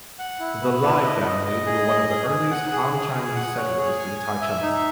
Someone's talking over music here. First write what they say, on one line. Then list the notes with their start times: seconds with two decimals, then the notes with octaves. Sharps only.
The Lai family were one of the earliest Han Chinese settlers in Taichung.
0.19 F#5
0.40 E4
0.61 B4
0.83 E4
1.03 D#5
1.25 D#5
1.45 D#5
1.66 G#4
1.88 D#5
2.09 G#4
2.30 G#4
2.51 F#5
2.72 G#4
2.94 G#4
3.15 G#4
3.36 F#5
3.57 C#5
3.77 G#4
3.99 G#5
4.19 G#5
4.41 E5
4.62 D#4